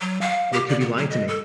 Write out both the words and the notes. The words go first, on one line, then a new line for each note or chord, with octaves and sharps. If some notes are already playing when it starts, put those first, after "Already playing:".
They could be lying to me.
F#3
F5
G4
D5
B3
F#3
D#5
A4